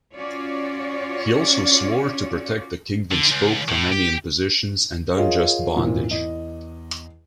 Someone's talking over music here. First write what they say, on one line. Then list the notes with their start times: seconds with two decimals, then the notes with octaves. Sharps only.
He also swore to "protect the Kingdom's folk from any impositions and unjust bondage".
0.13 C#4 F4 F#4 C#5 D5
3.12 D3
3.31 C#2
3.68 A2
3.92 G4
5.17 F4 G#4 A#4 C#5 D#5 F5
5.76 G#1 E2 A#2
6.11 E2 D#5